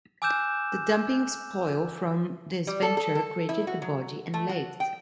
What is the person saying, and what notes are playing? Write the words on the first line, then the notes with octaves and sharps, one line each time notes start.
The dumping of spoil from this venture, created the body and legs.
G#5 D6 E6 F#6 G6 E7
G3
A4
A4
A4
E4
F#4
F#3
A3
F#4
G5